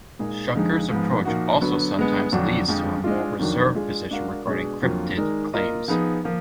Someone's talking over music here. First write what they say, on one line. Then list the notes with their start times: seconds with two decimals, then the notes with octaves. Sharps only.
Shuker's approach also sometimes leads to a more reserved position regarding cryptid claims.
0.19 A#2 G#3 D#4 G#4
0.54 F2 D3 F3 G#3 D#4
0.90 G#2 F3 G#3 B3
1.25 A#2 F3 A#3 D#4 F#4
1.61 D3 F#3 B3
1.96 D3 G#3 B3
2.32 F2 D3 F#3 D4 F#4
2.68 F2 D3 F3 G#3
3.04 G#3 D4 F4
3.39 F2 D#3 F#3 D4
3.75 G#3 D4 F4 G#4
4.11 G#3 D4 F#4 A#4 F5
4.46 B2 G#3 D4 G#4
4.82 F2 D3 F#3 A#3 F4
5.17 D#3 G#3 D#4 A#4 D5
5.54 A#3 F4 A#4 D#5
5.88 F3 B3 D#4 G#4
6.24 F3 A#3